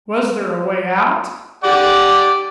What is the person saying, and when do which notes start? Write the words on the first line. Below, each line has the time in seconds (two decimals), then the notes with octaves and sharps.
Was there a way out?
1.64 G4 D5 F#5 D6